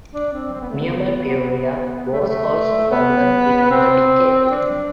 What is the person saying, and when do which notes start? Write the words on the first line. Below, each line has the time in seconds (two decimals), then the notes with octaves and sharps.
Nearby Peoria was also founded within the decade.
0.13 D4
0.33 C4
0.53 C4
0.61 B3
0.70 A3
0.79 B3
2.12 A3
2.20 G3
2.28 A3
2.91 B3
3.71 C4
4.51 D4